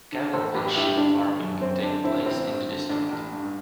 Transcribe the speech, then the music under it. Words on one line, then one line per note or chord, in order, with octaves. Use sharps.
Cattle and sheep farming take place in the district.
D3
A1 A4 C5
A1 G4 B4
G2 E4 G4
E4
D3 D4
D3
F#2
F#2 C4
D3 D4
D3 C4 E4
A1 C4 E4
G2
D3
A1 D4
A1
G2